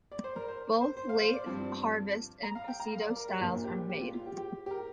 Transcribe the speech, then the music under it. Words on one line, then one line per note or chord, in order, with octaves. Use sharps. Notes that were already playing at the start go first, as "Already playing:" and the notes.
Both late harvest and "passito" styles are made.
D5
C5
A#4
C5
C5
C5
F5
C5
D5
G2 F3 C4
A#5
F5
G5
A#5
F5
D5
A#4
G4
A#1 A#2 A#3 D4 F4
G4
G4
F4
F4
G4
G4
G4
A#4